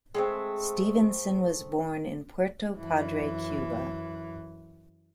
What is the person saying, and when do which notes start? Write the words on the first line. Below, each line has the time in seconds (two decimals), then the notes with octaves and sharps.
Stevenson was born in Puerto Padre, Cuba.
0.15 G#3 A3 C4
2.77 F#2 E3